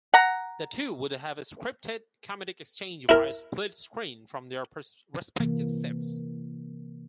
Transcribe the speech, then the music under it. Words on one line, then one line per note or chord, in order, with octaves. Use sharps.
The two would have a scripted comedic exchange via split-screen from their respective sets.
F#5 A#5
E4 A#4
C3 E3 A#3